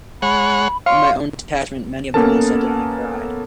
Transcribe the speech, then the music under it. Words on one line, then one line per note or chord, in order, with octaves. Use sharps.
In my own detachment many of the men sat down and cried.
G#3 C#5 F#5 B5
C#5 F5 C6
A#3 B3 C#4 A4 A#4 A5